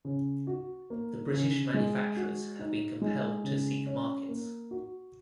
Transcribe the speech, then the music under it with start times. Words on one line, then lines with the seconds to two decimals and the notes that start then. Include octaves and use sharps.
The British manufacturers have been compelled to seek markets.
0.05 C#3
0.47 F#4
0.90 A#3
1.33 C#3
1.74 G#3
2.17 F#4
2.59 D#4
3.02 G#3
3.44 C#3
3.87 C#4
4.29 A#3
4.71 F#4